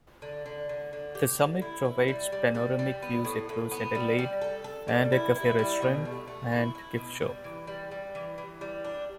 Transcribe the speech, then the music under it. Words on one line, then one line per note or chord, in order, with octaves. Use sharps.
The summit provides panoramic views across Adelaide, and a cafe-restaurant and gift shop.
D3
D3
D3
D3
G4
D3
E4
E4
G3
G3
G3
G3
B3
A2
A2
B3
G3
G3
A4
A4
G3
E4
E4
G3
B2
A3
A3
E4
E4
B2
G3
E3
G3
G3
E3
E3
G3
D4